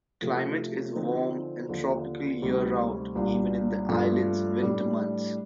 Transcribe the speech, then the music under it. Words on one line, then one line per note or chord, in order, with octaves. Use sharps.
Climate is warm and tropical year-round, even in the islands' "winter" months.
C3 F3 A3
D3 F3 C4 D#4
D#2 D3 F3
D2 C3 G3 C4 D#4
C2 A#2 G3 D4 F4
G2 F3 A3 D4 F4
A2 G3 D4